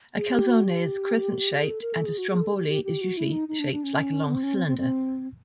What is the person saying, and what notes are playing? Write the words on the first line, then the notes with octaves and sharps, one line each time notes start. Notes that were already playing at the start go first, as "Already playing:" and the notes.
A calzone is crescent-shaped, and a stromboli is usually shaped like a long cylinder.
G#4
G4
F#4
G4
G#4
A4
A#4
A4
G#4
F#4
G#4
A4
G4
G4
G4
F#4
E4
D#4
D#4
D4
D4
C#4
B3
C4
C#4
C4
C4
C4